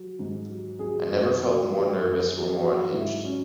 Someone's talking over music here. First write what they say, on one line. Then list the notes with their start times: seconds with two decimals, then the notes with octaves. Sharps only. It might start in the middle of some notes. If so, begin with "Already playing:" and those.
I never felt more nervous or more unhinged.
Already playing: F#3
0.19 G#2
0.50 F#3
0.79 F#3 G#4
1.10 F#2
1.41 F#3
1.72 F#3
2.02 F#2
2.33 F#3
2.62 F#3 F#4
2.93 G#2 E4
3.24 F#3 C#4